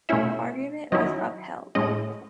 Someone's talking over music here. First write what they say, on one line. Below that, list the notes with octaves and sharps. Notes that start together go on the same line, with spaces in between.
The argument was upheld.
B2 A3 C#4 E4 E5
D#3 F#3 C#4 E4 D#5
A2 G#3 C#4 D#5